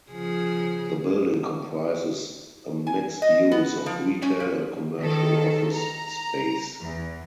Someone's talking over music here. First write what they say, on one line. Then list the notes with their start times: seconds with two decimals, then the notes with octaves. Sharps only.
The building comprises a mixed use of retail and commercial office space.
0.10 C#3 F3 G#4
2.87 G#5
3.22 D#5
3.51 B3
3.86 F3
4.22 C#4
4.40 F3
4.99 D#3 A4
5.72 A#5
6.80 E2